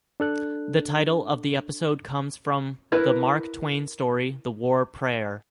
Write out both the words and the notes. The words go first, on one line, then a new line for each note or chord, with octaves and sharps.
The title of the episode comes from the Mark Twain story "The War Prayer".
D4 A4 F#6
E4 A#4 B4